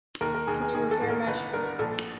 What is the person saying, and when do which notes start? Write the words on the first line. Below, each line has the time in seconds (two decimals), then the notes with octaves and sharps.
Can you repair my shoes?
0.21 D#2 A#4
0.35 A#4
0.47 D#2 G#4
0.61 G#4
0.73 D#3 G#4
0.91 A4
1.01 A1
1.10 A#4
1.27 G1 B4
1.53 G2 A#4
1.79 A#1 A4